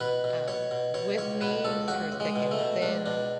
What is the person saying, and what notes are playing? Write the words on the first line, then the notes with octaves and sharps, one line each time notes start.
um, with me through thick and thin,
B2 B4
B2
B2 C#5
B2
B2 C#5
C#2 C#5
B2 B4
C#2 A4
C#2 F#4
C#2
G#3
B2
A3
B2
C#2 D4
B2 D4